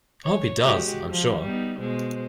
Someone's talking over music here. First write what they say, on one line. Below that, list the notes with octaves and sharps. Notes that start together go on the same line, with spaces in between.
I hope he does, I am sure.
C#5
G#3 F#4 G4
F3
G3 B3 D#4
B2 G#3 C5